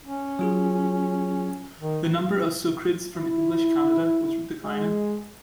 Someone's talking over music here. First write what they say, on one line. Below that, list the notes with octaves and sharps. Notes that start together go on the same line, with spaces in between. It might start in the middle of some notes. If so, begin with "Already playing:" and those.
The number of Socreds from English Canada was declining.
C#4
F#3 F4 G#4
D#3
E4
G#3